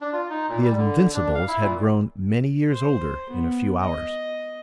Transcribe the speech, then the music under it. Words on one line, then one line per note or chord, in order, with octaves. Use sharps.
The Invincibles had grown many years older in a few hours.
D4
F4
D#4
A#2
G3
D3
D4
F5
E4
A#2
C5
B3
D#5